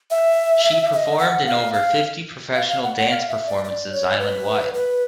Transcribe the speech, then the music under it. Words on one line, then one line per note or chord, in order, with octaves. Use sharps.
She performed in over fifty professional dance performances island wide.
E5
E5
D#5
F#5
F5
F5
F5
F5
F#5
F#5
F5
E5
D5
D5
C#5
B4
B4